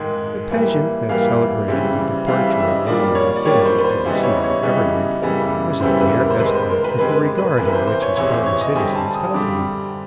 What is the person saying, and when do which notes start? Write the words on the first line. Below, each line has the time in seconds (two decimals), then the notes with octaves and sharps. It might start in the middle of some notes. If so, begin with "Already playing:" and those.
The pageant that celebrated the departure of William McKinley to the seat of Government was a fair estimate of the regard in which his fellow-citizens held him.
Already playing: G#2 D#3 G#3
0.51 E3 G3 A#3
1.09 E3 G3 A#3 F5
1.68 C#3 E3 G3 C4
2.27 C#3 E3 G3 C4 F5
2.47 E5
2.59 E5
2.67 D#5
2.86 D#3 G3 A#3 D4 F4 D5
3.15 C#5
3.36 D5
3.45 D#3 G3 A#3 D4 F4 C#5
3.65 C5
3.79 B4
3.84 C5
4.04 C#3 E3 G3 B3 D#4
4.23 C#5
4.44 C#5
4.63 C#3 E3 G3 B3 D#4
5.22 F#2 C#3 E3 G3 B3
5.81 F#2 C#3 E3 G3 B3 C5
6.01 B4
6.21 A#4
6.31 C5
6.39 C3 D#3 G#3 B4
6.55 C5
6.70 A#4
6.84 B4
6.99 C3 D#3 G#3 B4
7.38 B4
7.57 E2 C3 E3 A#4
7.65 B4
7.73 C5
7.87 C5
8.02 C#5
8.17 E2 C3 E3 C#5
8.31 C5
8.46 C#5
8.61 D#5
8.75 D3 G3 C4 G#5
8.95 A5
9.15 D#6
9.34 D3 G3 C4 D6